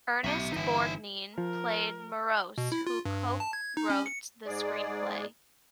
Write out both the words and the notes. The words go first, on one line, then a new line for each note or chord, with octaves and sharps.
Ernest Borgnine played Morros, who co-wrote the screenplay.
B1 E5 A#5
G1 E3 D#4 E5
F3 A#4
B2
E4
F4
G2
A5
G#6
D#4
C#4
C#7
G#2 G#3 G#4 D5